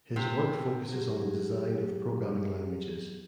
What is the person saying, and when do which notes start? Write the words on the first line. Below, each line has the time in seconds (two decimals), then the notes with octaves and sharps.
His work focuses on the design of programming languages.
0.16 C3
0.92 F#3 G4 G#4